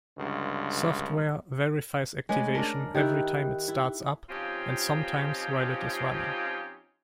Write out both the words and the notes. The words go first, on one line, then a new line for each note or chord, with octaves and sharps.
Software verifies activation every time it starts up, and sometimes while it is running.
C#2 G2 D3
G#3 A3 C#4 G#4 B4
D4 A#4 A5
D#3 E4 G4 G5 F#6
E4
F3 C4 C#4 D#4 F4 G4